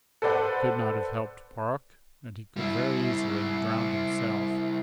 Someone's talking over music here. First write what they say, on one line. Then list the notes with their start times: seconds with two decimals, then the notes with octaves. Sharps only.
He could not have helped Park, and he could very easily have drowned himself.
0.22 A4 B4 C5 D5 F#5
2.57 G3 E4